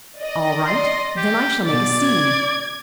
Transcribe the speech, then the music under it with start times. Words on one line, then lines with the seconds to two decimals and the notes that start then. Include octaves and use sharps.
"All right; then I shall make a scene."
0.22 D5 D#5
0.67 C6
1.17 G4
1.66 B2 D5 A6
2.07 G#6